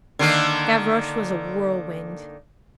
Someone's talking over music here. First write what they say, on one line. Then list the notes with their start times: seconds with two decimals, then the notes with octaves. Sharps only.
Gavroche was a whirlwind.
0.19 D3 D#3 A#3